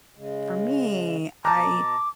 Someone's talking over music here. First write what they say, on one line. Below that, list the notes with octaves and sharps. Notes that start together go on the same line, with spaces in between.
for me, I
C#3 G#3
B2 A5 A#5 D6